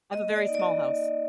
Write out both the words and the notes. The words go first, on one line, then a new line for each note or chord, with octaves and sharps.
I have a very small house.
A#3 D#5
D5
D#4
D5
D#5
A#3